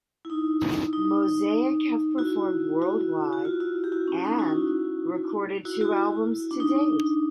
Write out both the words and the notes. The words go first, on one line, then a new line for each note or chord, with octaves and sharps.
Mozaik have performed worldwide and recorded two albums to date.
E4
D#4
D#4
E4 F#4
E4 F#4
F#4
F4
E4 F#4
G4
E4 F#4
C#4
D#4
E4 F#4
E4 F#4
E4 F#4
E4
D4
D#4